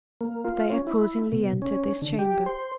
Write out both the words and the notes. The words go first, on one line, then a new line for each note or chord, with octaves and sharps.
They accordingly entered his chamber.
A#3
F4
C#4
E4
B2
C#4
D3
G4
C5